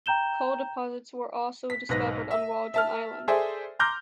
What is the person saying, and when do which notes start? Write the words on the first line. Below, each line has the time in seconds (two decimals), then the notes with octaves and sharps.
Coal deposits were also discovered on Waldron Island.
0.06 G5 A#5 G6 E7 G7
1.70 B6
1.89 B1 G#2 B4 A#6
2.31 E5
2.74 E5 A5 F6
3.28 G#4 A4 C5 D5 E5 G#5
3.79 A#5 C6 D6 F6 G6 A#6